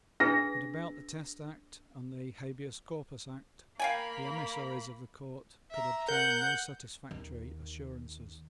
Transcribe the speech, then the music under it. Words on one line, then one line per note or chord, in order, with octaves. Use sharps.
But about the Test Act and the Habeas Corpus Act the emissaries of the Court could obtain no satisfactory assurances.
D4 G#4 B4 A#6
A#3 F5 G5 G#5 B5
E5 A#5
A#4 F#5 G6
D#2